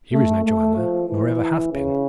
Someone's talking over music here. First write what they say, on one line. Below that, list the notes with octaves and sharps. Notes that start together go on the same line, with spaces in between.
Here is no Joanna, nor ever hath been.
A3
A3
F3
E3
C#3